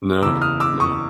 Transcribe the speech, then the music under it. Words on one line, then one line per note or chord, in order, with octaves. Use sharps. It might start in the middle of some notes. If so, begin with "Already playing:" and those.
No. No.
F#1 E2 C#3 E3 D6 E6
D#6 F6
D6 E6
C#6 D#6